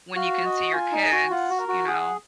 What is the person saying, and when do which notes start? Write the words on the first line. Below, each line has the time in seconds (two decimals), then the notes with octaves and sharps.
when you can see your kids, you know?
0.16 F#4 F5
0.45 D#5
0.73 F4 G#5
0.92 D#4
1.02 G#4 G#5
1.12 F#4
1.30 F4 F#5
1.50 F#4
1.59 A#4
1.68 F#4
1.87 G#4 F#5